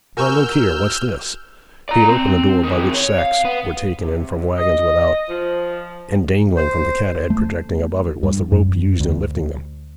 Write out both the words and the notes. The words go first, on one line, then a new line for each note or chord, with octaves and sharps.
Why, look here, what's this?' He had opened the door by which sacks were taken in from waggons without, and dangling from the cat-head projecting above it was the rope used in lifting them.
F#4 A#4 G#5 C#6 E6 F6 G6
D5 A#5
C4
D#3 C4
C#5
F5
B3
C3
D#5
F3
C5
A3
G2
F#2
D2